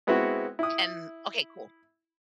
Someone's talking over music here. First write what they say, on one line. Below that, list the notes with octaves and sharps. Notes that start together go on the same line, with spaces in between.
and okay, cool
G#3 B3 C4 E4 F#4
E4 D#6